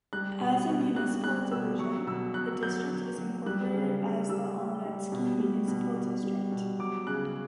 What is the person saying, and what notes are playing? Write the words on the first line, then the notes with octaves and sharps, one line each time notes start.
As a municipal division, the district is incorporated as Olonetsky Municipal District.
G3 F#6
B2
B2
G3 F#6
G3 F#6
B2 E6
F#3 C#6
B2 E6
F#3 F#6
F#3 G6
F#3
F#3
G3 F#6
C#3
C#3
G3 E6
G3
G3
B2
G3
B2
B2
G3
B2
F#3 D6
C#3 F#6